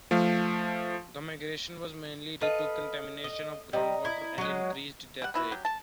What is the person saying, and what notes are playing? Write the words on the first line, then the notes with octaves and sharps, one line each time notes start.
The migration was mainly due to contamination of groundwater and increased death rate.
F3 A3 F5
A4 B4 D#5 F5
D#5
G3 D#5 A#5
E4
F#3 G#3
G3 F#5
B3 E4 F#4
F#3 G4
A5